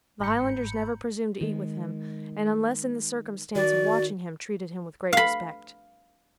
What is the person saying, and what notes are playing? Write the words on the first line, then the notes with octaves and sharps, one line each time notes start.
The Highlanders never presumed to eat with him, and, unless in the circumstance of watching him, treated him with great respect.
G1 G#2 A#5 B5 G6 C#7
D#3 G#3
D#3 F#4 D5
F5 B5